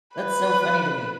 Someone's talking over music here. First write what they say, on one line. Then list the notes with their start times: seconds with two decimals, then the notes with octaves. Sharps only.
That's so funny to me.
0.15 B4